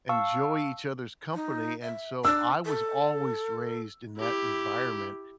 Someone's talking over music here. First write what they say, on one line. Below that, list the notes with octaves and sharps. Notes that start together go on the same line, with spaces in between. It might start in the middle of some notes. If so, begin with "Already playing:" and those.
enjoy each other's company, and, so, I was always raised in that environment
F5 A5 C#6 E6
D#4
E5
D4 E6
A4
E4 G4